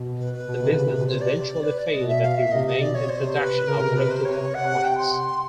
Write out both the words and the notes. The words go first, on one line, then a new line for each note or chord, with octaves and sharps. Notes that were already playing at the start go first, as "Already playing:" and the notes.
The business eventually failed but he remained in production of replica coins.
Already playing: B2
B4
B4
B2
C3
D3
C#3
C3
B2
C3 C5
D5
B4
D5
B2 D#5
E5
F5
E5
C3 D#5
D#5
C3
B2 D5
C#5
C3 C5
B4
C#3 A#4
C3
B2
C3 B4
C5
C3 C#5
C3 F#5
G5
C6